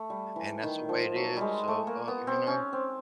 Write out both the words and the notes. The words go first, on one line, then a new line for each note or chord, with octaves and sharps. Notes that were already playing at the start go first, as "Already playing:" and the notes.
And that's the way it is, so, uh, you know
Already playing: A3
G3
E3
D#3
F3
F#3
G3 G#3
A3
A#3
B3
C4
C#4
C4